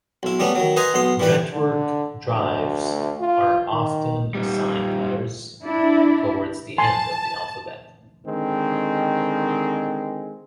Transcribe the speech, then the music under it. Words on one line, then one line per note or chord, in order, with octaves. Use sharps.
Network drives are often assigned letters towards the end of the alphabet.
B1 E4
G3 A3 B3 C#4
D#3 F#3
B4 C5 D#5 G#5 A#5
B1 B3 C6
E3 G3 B4
D3
D2
F4
D#3
A#2 G3
D4 E4
G#5 A5 C6
D3 D#3 G#3 C4